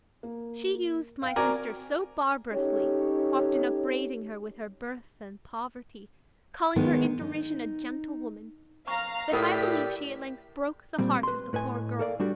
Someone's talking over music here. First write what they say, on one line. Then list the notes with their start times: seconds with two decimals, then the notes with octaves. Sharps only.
She used my sister so barbarously, often upbraiding her with her birth and poverty, calling her in derision a gentlewoman, that I believe she at length broke the heart of the poor girl.
0.23 A#3
1.22 F5 G5
1.36 C4 F#4 A#4 D5 G#5 A#5
2.52 C#4 D#4 G4 A4 C#5
6.76 D#3 G#3 B3
7.21 D#4
8.88 F5 A#5 C#6 F6
9.33 A2 G4 A#4 D5 B5 D#6 B6
9.62 A#4
10.99 A#2 G3 C4
11.23 B4 C6
11.53 A2 B4 D#5 G#5
11.99 A4 A#4 D5 F5
12.20 G3 D4 F#4 G4 A4